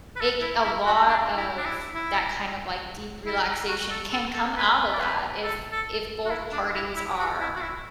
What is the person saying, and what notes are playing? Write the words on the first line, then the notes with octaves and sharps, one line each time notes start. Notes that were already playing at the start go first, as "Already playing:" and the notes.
it c a lot of that kind of, like, deep relaxation can come out of that if if both parties are
B4
A4
E4
E4
F#4
D4
E4
D4
E4
E4
E4
F#4
A4
A4
A4
B4
D5
B4
A4
A4
F#4
E4
D4
E4
E4
F#4
E4
F#4
E4